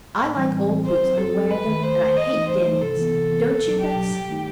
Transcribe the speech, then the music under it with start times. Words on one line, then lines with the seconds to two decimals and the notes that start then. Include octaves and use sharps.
I like old boots and wear them, and I hate dandies; don't you, Bess?'
0.20 A2
0.36 E3 G3 C4
0.52 A2
0.68 E3 G3 C4
0.85 F#2 C5
1.01 F#3 C4
1.17 F#2 A4
1.34 F#3 C4
1.50 D#2 B4
1.67 D#3 A3
1.83 D#2 C5
1.99 D#3 A3
2.15 G2 D#5
2.32 E3 A3 D#4
2.48 G2 C5
2.65 E3 A3 D#4
2.81 C3 A4
2.97 E3 B3
3.14 C3
3.29 E3 B3
3.46 C2
3.62 B2 F#3
3.78 C2 G4
3.95 B2 F#3
4.11 G2
4.28 D#3 A3 D#4